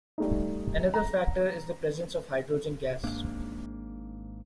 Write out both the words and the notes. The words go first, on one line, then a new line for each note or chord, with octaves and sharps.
Another factor is the presence of hydrogen gas.
G3 A3 D#4
A#5
G#1 G#2 A#3 D4